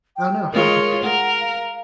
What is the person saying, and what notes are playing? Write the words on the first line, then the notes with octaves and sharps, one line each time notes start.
I don't know how
G5
G#3 F4 A#4 C#5
A#4 F#5
F5